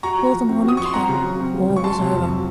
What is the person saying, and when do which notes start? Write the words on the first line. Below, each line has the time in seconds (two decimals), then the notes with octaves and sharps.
Before the morning came all was over.
0.03 F#4 A#5 C#6
0.18 F#4
0.33 F3
0.49 C4
0.64 F#4 D#6
0.77 F3 C#6
0.86 C6
0.94 C4 F#5 A#5
1.09 C#3
1.24 F#3
1.39 C4
1.54 C#3
1.69 C#2
1.76 C#6
1.84 F#3 A5 C6
1.99 C3
2.14 F2
2.29 F#3